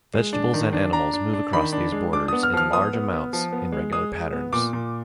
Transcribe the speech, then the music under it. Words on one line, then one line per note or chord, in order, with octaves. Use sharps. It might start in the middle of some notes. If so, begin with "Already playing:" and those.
Vegetables and animals move across these borders in large amounts in regular patterns.
G#3
D4
D#3
D4
D4 A#5
D4
D4
D#3 B5
D4
G#3
D4 D6
B3 D#6
F6
F3 F6
B3 D#6
B3
B3
F3
B3
G#3
G#3 D#6
G#3
B3
A#2 D6
A#2